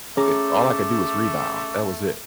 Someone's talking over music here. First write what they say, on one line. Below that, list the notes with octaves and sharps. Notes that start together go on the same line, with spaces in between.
Eh, all I could do was rebound. That was it.
A3 C#4 G#4 A#5 D6